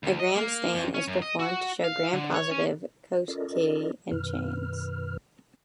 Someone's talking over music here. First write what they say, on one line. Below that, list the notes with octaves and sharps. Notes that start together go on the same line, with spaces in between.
A Gram stain is performed to show Gram-positive cocci in chains.
D2
D#5
A#3
F2
C#4
F#2
D#5
F#4
F5
D3
C#5
C#4
C#4 F4 A4 A#4 D5 D#5
F#2 B2 D#3 B4 F6